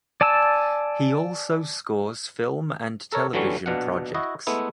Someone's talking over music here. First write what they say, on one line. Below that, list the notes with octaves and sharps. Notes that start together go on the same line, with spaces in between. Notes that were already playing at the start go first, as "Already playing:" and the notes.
He also scores film and television projects.
D5 G#5 A5 E6
A4 A#4 C#5
D3 E3 F#3 G3 A3 C#4
A#1 B2 D4 F5 F#5
E4 F#4 D#5
G#3 A3 B3 E4